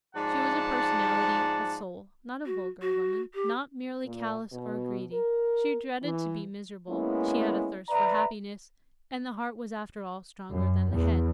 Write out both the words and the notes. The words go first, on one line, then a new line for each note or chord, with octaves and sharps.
She was a personality, a soul--not a vulgar woman--not merely callous or greedy. She dreaded to be miserable; she had a thirst for happiness, and the heart was, after all, stronger than the head.
G#2 F3 D5 F#5 A5
F#4
F#4
G4
A#2
B2
A#4
E3
G#3 A#3 B3 C#4 E4
B4 D5 E5 A#5
F#2
E2